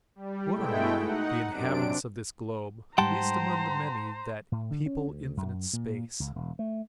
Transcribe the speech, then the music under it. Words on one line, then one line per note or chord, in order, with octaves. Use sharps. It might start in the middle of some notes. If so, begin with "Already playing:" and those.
What are we, the inhabitants of this globe, least among the many that people infinite space?
G3
B2 G#3 A3 E4 G5
D#4 F#5
F#2 C3 D4 D7
G#2 G3 C5 F#5 G5 A5 A#5 C6
A2
D3
C#4
D2
F#2
A#2
C#2
E1
A3